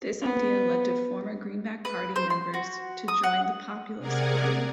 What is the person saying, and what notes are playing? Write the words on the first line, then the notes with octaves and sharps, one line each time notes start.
This idea led to former Greenback Party members to join the Populist Party.
B3
B4
C5
C6
F#4
D#6
F#5
C3 G#4 A#4 D5 F#5 G#5